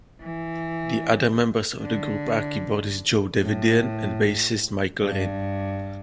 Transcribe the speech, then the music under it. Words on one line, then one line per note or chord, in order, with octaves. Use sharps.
The other members of the group are keyboardist Joe Davidian and bassist Michael Rinne.
E3
D3
A2
G2